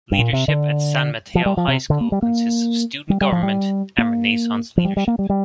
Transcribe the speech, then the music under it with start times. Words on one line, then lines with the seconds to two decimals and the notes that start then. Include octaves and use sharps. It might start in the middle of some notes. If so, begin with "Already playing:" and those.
Leadership at San Mateo High School consists of Student Government and Renaissance Leadership.
0.12 G2
0.18 A#2
0.33 C3
0.48 D3
1.35 F3
1.46 G3
1.57 F3
1.68 C3
1.90 D3
2.01 A#3
2.12 G3
2.22 A#3
3.10 G3
3.21 G3
3.32 F3
3.43 G3
3.98 A#3
4.77 F3
4.85 G3
4.97 G3
5.08 A#3
5.19 G3
5.30 G3